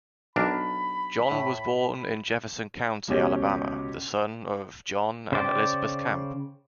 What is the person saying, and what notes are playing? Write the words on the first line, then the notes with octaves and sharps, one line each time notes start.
John was born in Jefferson County, Alabama, the son of John and Elizabeth Camp.
B1 D4 A#4 B5
A2
C#2 B2 C#4 G4 C#5
C#3 C5 D5 G5